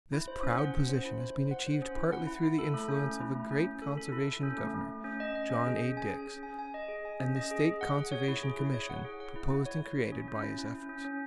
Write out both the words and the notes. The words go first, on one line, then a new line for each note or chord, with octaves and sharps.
This proud position has been achieved partly through the influence of a great conservation Governor, John A. Dix, and the State Conservation Commission proposed and created by his efforts.
E4
C5
C#4
F#5
C#4
C5
E4
C5
C5
F#5
C5
C#4
E4
F#5
E4
E4
A4
A3
C#4
A3
E4
A3
C#4
C#4
A4
A4
E4
A4
C#4
A3
A3
A3
C#4
D#5
D#5
C#4
G#4
C#4
G#5
G#4
C#4
G#5
G#5
D#5
G#4
G#5
C#4
D#5
G#4
G#4
F#5
G#4
C#5
E4
G#4
E4
C#5
F#5
G#4
F#5
E4
E4
C#5
C#5
E4
C#4
C#4
E4
E4
C#4
C#4
C#4